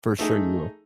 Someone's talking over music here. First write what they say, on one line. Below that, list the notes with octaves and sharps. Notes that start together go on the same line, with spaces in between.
for sure you will.
A3 D#4 G#4